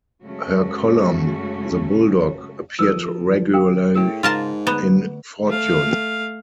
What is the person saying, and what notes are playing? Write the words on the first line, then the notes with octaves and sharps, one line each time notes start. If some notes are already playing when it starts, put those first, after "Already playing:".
Her column, "The Bulldog", appeared regularly in "Fortune".
F#2 C#3 G#3 A3 C#4 F#4
F3 A4 B4 E6
A#4 F5 G5
A2 G#4 A#4 G5
G#2 C#3 F4 A#4 F5 A5 C6
D2 B3 A#5
A3 F5